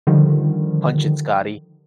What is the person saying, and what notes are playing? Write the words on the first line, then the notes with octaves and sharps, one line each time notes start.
"Punch it, Scotty"
D3 D#3 F3 G3